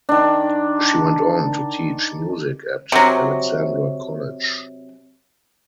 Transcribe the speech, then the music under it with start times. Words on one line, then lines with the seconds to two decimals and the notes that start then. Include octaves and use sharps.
She went on to teach music at Alexandra College.
0.09 D#3 D4
2.92 C3 F#3